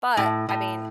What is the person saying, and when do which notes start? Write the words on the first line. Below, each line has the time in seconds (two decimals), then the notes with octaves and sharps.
But, I mean, I
0.17 A2
0.49 A2